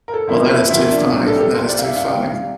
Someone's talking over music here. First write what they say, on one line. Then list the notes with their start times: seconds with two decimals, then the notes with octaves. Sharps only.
Well, that is too funny, that is too funny.
0.08 A#4
0.14 A4
0.28 D2 C3 F3 A#3 E4
0.49 E4
0.70 D2 C3 F3 A#3 E4
0.92 D4
1.12 C2 C3 G3 D4
1.27 A4
1.36 G4
1.41 A4
1.54 C2 C3 G3 C5
1.69 D5
1.78 F5
1.83 E5
1.96 C2 C3 G3 F5
2.11 G5
2.25 F5
2.39 C3 G3